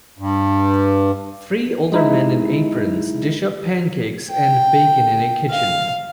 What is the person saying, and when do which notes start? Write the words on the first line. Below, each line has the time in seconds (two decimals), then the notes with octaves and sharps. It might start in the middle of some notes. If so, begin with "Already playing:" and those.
Three older men in aprons dish up pancakes and bacon in a kitchen.
0.19 G2
1.92 G#3 D#4 E4
4.31 G5
5.51 F5